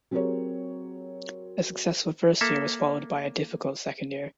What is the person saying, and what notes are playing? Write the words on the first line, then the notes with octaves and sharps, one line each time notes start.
A successful first year was followed by a difficult second year.
F#3 C4 G4 G#4 A#4 C#5
A#3 A4 E5